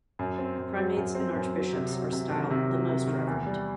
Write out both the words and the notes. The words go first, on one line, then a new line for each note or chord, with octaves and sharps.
Primates and archbishops are styled "The Most Reverend".
F#2
C4
F#2
F#3
F#2
C4
F#2
F#3
C3
F#3
C3
D#3
C3
F#3
C3
D#3
E2
G3